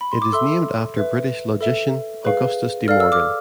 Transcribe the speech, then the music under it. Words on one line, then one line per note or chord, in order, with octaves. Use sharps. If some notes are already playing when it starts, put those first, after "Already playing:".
It is named after British logician Augustus De Morgan.
B5
C6
D6
A4 E5 C6 E6
B4 E5
A4 E5
G#4 B4 F5
A4 D5 F5 F6
E6
D6 F6